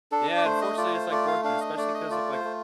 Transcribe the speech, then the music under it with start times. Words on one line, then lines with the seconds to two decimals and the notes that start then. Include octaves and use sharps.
Yeah, unfortunately, it's, like, working, especially 'cause of, like,
0.12 D4 A4
0.37 D5
0.45 A3 C5
0.61 D#5
0.78 F4 D5
0.95 C5
1.11 A3 D5
1.28 F5
1.44 D4 F5
1.61 D#5
1.77 A3 D5
1.94 D#5
2.10 F4 D5
2.33 C5
2.44 A3